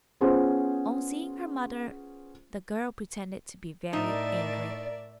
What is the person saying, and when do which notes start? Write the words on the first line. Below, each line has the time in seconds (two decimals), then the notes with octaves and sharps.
On seeing her mother the girl pretended to be very angry.
0.21 B3 C#4 F4 G#4 C5
3.93 A2 D#4 A#4 D5 E5